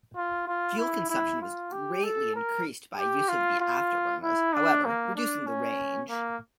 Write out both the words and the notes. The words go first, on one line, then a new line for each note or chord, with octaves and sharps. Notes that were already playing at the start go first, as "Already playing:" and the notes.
Fuel consumption was greatly increased by use of the afterburners, however, reducing the range.
F4
F4
E4
E4
F4
G4
A4
A#4
G4
F4
F4
E4
D4
A#3
D4
C#4
A#3